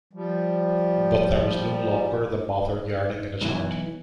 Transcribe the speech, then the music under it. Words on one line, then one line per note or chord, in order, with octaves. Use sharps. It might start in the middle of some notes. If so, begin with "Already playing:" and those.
But there was no longer the mother yearning in his heart.
F3 G3
B1 E3